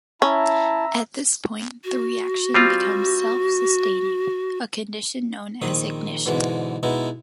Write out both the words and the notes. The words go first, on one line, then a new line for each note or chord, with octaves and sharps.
At this point the reaction becomes self-sustaining, a condition known as ignition.
C#4 E4 E5 A5 A#5
F#4
G3 C4 F4
A#1 D#3 C4 D#6
G#2 B2 D3 E3 G#3
B2 G#3 B3 D#4 E4